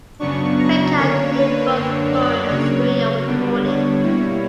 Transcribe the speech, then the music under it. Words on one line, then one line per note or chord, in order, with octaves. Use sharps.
Rickard continued both touring and studio recording.
F#2 C#3 F#3 B3 D4 C#6
A#5
D3 A#3 D4 C#5
B4
F#2 D3 A#3 D4 C#5
D5
C#3 F#3 A#3 C#5
D3 G3 B3 D4
C#5
B2 G3 A#3 E4 C#5